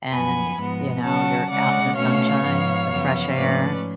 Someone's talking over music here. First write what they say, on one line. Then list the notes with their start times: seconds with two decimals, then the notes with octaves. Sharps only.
and, you know, you're out in the sunshine, the fresh air,
0.12 F#2 F3 B3 G#5 B5
0.57 G#2 F3 G#3 B3
1.04 C#3 F#3 C#4 F#5 A5
1.50 C#3 G#3 C#4 D5 F#5
1.96 B2 A3 C#4 C#5 F5
2.43 G#2 F3 B3
2.89 F#2 C#3 F3 B3
3.35 G#2 F3 A3 C#4 B4 D5